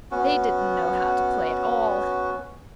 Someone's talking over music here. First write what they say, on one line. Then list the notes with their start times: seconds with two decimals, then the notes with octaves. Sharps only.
They didn't know how to play at all.
0.11 B3 C#4 F#4